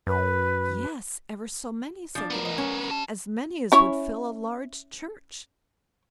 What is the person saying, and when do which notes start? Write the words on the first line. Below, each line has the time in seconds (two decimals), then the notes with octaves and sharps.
'Yes, ever so many', said the lad, 'as many as would fill a large church.'
0.07 F#2 B4
2.15 F3 D4
2.30 B3 A#4
2.45 D#5
2.58 C#4
2.90 G4 A5
3.72 C#4 E4 C#5